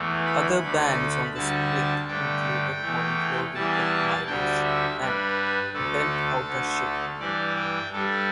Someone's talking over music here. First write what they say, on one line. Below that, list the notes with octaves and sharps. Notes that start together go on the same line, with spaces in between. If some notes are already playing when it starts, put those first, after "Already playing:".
Other bands on the split included Morning Glory, F-Minus, and Bent Outta Shape.
Already playing: E2 E3 A3
B5
D2 D3 A3
D2 D3 G3 A5
G2 D3 A3 G5
E2 E3 A3
E2 E3 G3 A5
D2 D3 G3 G5
E5
G2 G3 B4
D2 D3 A3 A4
D2 D3 A3
G2 E3 G3 D5
G5
G2 G3 A4